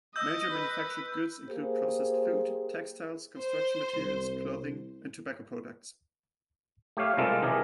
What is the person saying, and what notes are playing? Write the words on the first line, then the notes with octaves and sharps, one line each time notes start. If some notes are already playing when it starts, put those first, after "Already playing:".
Major manufactured goods include processed food, textiles, construction materials, clothing and tobacco products.
D#5 E6 G6
B4
A#3 G4 G#4 C5
C5
C2
A3 G4 C#5 F5
C3 G3 G#3 F4 A4 A#4
E3 G4 G#4 A#4 D#5